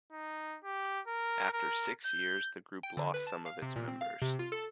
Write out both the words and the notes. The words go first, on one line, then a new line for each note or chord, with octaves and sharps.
After six years the group lost some of its members.
D#4
G4
A#4
A#4
G6
G5
D3
B4
A5
F5
C3
A#2
C4
F5
C3
F4
A4